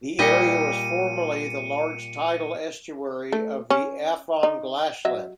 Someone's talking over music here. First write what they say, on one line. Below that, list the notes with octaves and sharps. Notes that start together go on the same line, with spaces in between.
The area was formerly the large tidal estuary of the Afon Glaslyn.
A#2 G3 D#5 C#7 D#7
A3
C#4
D#4
F#3 D#5 E5